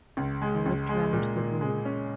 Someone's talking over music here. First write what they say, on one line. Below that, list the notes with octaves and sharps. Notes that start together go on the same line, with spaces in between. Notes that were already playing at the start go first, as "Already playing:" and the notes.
I looked round the room.
C#2
G#3
C#2
G#3
A#2
A#2
G#3
C#4